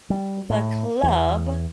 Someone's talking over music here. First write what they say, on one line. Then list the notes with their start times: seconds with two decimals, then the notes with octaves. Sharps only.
the club,
0.10 G3
0.50 A2
1.03 E2